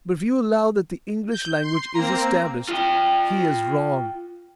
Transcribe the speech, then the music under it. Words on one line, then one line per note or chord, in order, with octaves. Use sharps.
But if you allow that the English language is established, he is wrong.
G6
C6
A#3 C4 A#5
F4 G5